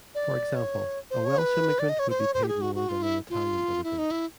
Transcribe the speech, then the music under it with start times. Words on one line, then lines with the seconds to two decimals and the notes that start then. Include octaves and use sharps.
For example, a Welsh immigrant would be paid more than an Italian immigrant.
0.15 D5
0.56 C#5
1.11 C5
1.25 C#5
1.38 B4
1.79 D5
1.89 D#5
1.99 C#5
2.10 C5
2.20 C#5
2.34 C5
2.43 G4
2.48 G#4
2.61 F#4
2.75 F#4
2.89 F4
3.02 E4
3.30 F4
3.84 E4
3.98 D#4
4.11 E4